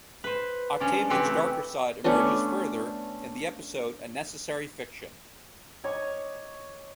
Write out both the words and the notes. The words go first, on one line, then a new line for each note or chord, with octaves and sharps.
Octavian's darker side emerges further in the episode "A Necessary Fiction".
B4 C5
F3 C#4 D4
C#3 E3 C4 F#4 G4 B4
A3
A3 B3 C#4 D4
C#5 D#5 C#6 D6